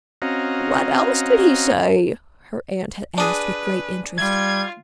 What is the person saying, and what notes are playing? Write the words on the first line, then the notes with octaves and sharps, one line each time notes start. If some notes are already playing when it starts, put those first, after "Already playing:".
"What else did he say?" her aunt had asked, with great interest.
C4 C#4 F#4 D#5 F5 A#5
D4 G#4 B4
G3 F4 G#6